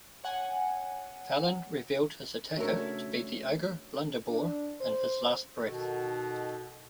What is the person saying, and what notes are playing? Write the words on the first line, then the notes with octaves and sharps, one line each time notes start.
Fallon revealed his attacker to be the ogre Blunderbore in his last breath.
C#5 F#5 G#5
C#3 A3 D4 F#4 A#4 C#5 E5
D4
C5
B2 D#3 F#4 A4